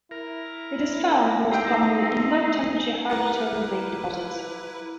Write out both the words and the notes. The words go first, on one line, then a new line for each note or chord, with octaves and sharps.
It is found most commonly in low temperature hydrothermal vein deposits.
E4 A#4
D#4 G4 E5 G5 A#5 C6
E4 G4 A#4 B4